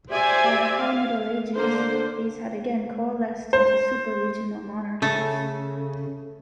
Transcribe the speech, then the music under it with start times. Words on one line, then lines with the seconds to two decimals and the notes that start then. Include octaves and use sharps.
By the High Middle Ages, these had again coalesced into super-regional monarchies.
0.11 G4 C5 D5 E5 G#5
0.78 F5
1.55 D3 A#3 C5
3.53 C5
5.02 C#3 A3 A4